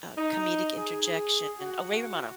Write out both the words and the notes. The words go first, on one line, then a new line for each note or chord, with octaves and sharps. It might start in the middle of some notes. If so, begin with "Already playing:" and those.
uh, comedic interjection. Oh, Ray Romano,
D#4
G#4
F#4